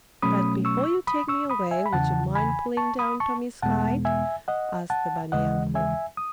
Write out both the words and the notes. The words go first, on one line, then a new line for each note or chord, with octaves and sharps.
"But before you take me away would you mind pulling down Tommie's kite?" asked the bunny uncle.
B2 F#3 A3 C#4 B5 D#6
C#6 E6
B5 D#6
C#6 E6
B5 D#6
E5 G#5
B5
E2 C#3 E3 F#5 A5
G#5 B5
A5 C#6
B5 D#6
A5 C#6
E2 B2 G#3 B3 F#5 A5
E5 G#5
D#5 F#5
F#5 A5
D#2 C#3 E3 G#3 D#5 F#5
E5 G#5
D#6